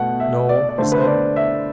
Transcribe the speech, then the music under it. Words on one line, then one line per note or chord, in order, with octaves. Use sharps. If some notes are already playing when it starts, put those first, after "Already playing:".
"No," he said.
Already playing: B2 A3 F#5
E5
D5
D5
D3 A3 C5
B4
C5
D5
E5